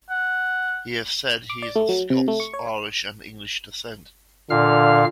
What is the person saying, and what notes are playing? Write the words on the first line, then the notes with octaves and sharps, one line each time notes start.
He has said he is of Scots-Irish and English descent.
F#5
D6
D5
A3
F#3
C3
A3
C#6
C#5
A#2 D3 F5 F6